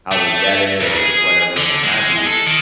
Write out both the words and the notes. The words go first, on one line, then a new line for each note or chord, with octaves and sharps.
how they get it or whatever it may have you,
A3
D2
G#4
D3
G#3
A4
D#3